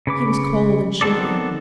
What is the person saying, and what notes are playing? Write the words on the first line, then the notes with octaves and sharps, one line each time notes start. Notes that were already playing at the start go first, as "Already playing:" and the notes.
He was cold and shivering.
C#3 B4 D6
D#3 B3 C4 A4 D5